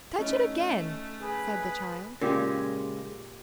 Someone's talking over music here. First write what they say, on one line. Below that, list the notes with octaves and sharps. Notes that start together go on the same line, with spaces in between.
"Touch it again," said the child.
A3 C#4 D#4 E4
G#4 B4
A#2 C#3 G#3 G4